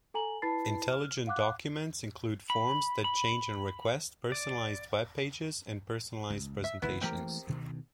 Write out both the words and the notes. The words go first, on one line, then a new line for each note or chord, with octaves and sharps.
Intelligent documents include forms that change on request, personalized web pages, and personalised presentations.
A4 G#5 A#5 F#7
E4 B4 A5 B5 A6 C7
F6
F5 F#5 D6 F#6
B5
B5
D5
C#2
E5
G#1 C#2 E3 B3 E4
E3 A3 A#3 C4 G4 A#4
D2 B2 D#3